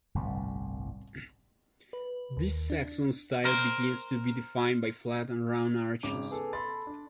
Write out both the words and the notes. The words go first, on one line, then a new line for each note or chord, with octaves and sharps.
This Saxon style begins to be defined by flat and round arches.
G1 C2 A2 G3
B4
D#2
D4
A#4 C5
G#1 C#3 D6 F7
B3 G#4 A4
A4 B5 C6 A6
D4